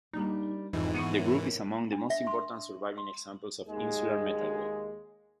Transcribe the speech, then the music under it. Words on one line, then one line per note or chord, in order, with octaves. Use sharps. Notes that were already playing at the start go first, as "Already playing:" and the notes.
The group is among the most important surviving examples of Insular metalwork.
G3 A#3 D4 D#4
F2 G#2 E3 D#4 F4 A4
B3 C#6 C#7 D#7
A#4 C#5 E5
D4
E5
C6
C6
D#2 G#3